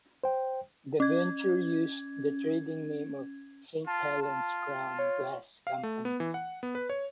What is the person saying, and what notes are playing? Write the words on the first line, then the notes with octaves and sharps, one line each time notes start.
The venture used the trading name of "Saint Helens Crown Glass Company".
C5 G5
C#4 G#6
F4 A5
F4
C#5
F5
A3
B3
E3
F#5
B3
B4
C#5